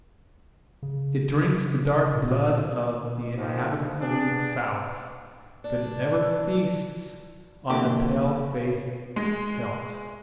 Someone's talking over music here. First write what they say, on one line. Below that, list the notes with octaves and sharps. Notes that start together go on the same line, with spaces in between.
It drinks the dark blood of the inhabitant of the south, but it never feasts on the pale-faced Celt.
C#3
A#2
D#2 G#2 F3
B3 D4 G#4
D4
F2 D3 E3 A#3 C4 F#4 G4
G#3